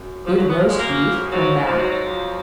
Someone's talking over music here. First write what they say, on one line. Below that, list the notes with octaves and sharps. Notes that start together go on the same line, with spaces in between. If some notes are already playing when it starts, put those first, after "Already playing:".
Could roast beef come back?
Already playing: F#2
F3
F#3
B3
F#2 C#3 F3 A#3
G#3
A#3
G#2 F3 F#3
F3
F#3
F#3
F2 F3